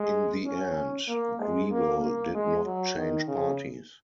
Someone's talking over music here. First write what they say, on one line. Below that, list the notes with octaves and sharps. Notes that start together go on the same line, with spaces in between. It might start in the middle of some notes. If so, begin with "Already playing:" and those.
In the end, Grewal did not change parties.
Already playing: G#3
C#4
A#3
G#3
A#3
A#3
G#3
F#3
D#3
C#3